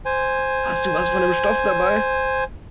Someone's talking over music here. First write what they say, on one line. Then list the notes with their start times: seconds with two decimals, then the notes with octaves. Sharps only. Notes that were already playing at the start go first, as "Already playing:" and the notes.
Hast du was von dem Stoff dabei?
0.05 C5 G#5